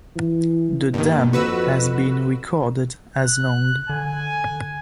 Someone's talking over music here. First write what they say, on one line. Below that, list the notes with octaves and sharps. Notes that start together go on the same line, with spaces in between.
The dam has been recorded as long.
E3
G2 D#3 A#3
F2 F#4 B4 E6
F#6
D3 G#5